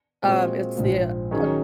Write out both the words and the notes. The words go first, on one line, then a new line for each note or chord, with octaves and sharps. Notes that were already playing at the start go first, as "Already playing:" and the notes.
um, it's the uh,
A#2 G#3 C4 F#4
A#1 G#2 F3
D#3 F#3 C#4 G#4